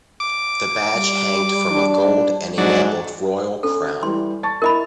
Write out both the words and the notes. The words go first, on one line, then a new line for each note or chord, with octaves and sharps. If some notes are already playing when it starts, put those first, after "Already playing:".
The badge hanged from a gold and enamelled royal crown.
D6
G3
D4
G#2 F#3 D4
C#4 A4
E3 G3 C6
A5 C#6 A6
E4 A#4 D#5 B5